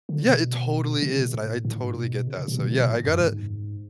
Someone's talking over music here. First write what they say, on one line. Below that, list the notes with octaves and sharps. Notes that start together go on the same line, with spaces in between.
yeah, it totally is. And I I totally get that. So yeah, I gotta
D3
B2
C#3
B2
A2
A2
G#2
B2
C#3
B2
B2
B2
A2
F#2
G#2